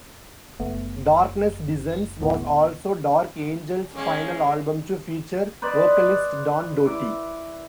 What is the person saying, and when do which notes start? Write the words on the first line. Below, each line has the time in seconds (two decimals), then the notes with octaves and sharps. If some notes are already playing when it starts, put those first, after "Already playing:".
"Darkness Descends" was also Dark Angel's final album to feature vocalist Don Doty.
0.60 F#1 A3 B3
2.21 D2 A2 B3
3.95 G#3 A#3 C#4
5.62 B4 C5 D5 D#5
6.85 E4 D6